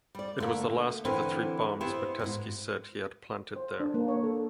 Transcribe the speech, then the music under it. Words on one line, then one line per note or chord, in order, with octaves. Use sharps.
It was the last of the three bombs Metesky said he had planted there.
G3 D5
D3 A3 A#3
D3 E3 C4 E4 A#4
B3 E4 G4 C5 E5
F2 G#2
C5
D4
A#3
C#5
A4